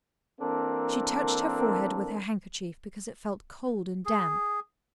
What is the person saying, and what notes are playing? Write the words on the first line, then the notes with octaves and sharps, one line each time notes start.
She touched her forehead with her handkerchief because it felt cold and damp.
E3 A#3 C4 D4 A4 A#4
G#4